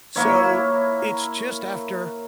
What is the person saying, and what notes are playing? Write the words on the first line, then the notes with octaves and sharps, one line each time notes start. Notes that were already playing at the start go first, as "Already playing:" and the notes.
So, it's just after
A#3 E4 C#5